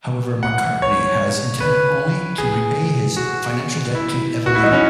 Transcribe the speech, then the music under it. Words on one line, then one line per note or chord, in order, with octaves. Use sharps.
However, Macartney has intended only to repay his financial debt to Evelina.
F#5
C#5
B4
G#4
F#4
E4
F#4
E4
D#4
C#4